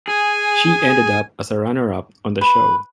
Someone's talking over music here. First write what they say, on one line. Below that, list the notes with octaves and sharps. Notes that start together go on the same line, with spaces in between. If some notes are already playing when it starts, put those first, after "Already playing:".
She ended up as runner-up on the show.
G#4 G#5
B4